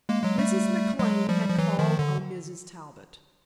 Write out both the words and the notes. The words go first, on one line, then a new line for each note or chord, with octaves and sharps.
Mrs. McLane had called on Mrs. Talbot.
G#3 A#3
F#3 G#3
G3 A3
F#3 G#3
F3 G3
F3
E3 F#3
D#3 F3
D3